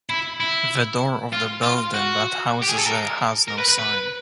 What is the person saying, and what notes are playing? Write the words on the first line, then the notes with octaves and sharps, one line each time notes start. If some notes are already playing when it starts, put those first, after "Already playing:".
The door of the building that houses it has no sign.
E4
E4
F4
F4
F#4
G4
G#4
A4
A#4
A#4
B4
B4
B4